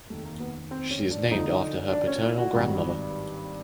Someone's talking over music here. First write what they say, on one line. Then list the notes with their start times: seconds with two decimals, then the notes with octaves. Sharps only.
She is named after her paternal grandmother.
0.10 F1 D#2 D#3 A3
0.25 A#3
0.40 B3
0.71 C4
0.91 C#4
1.11 D4
1.31 D2 D3 F3 D#4
1.92 D4
2.07 C#4
2.22 E4
2.38 F#4
2.53 G#1 G2 D#3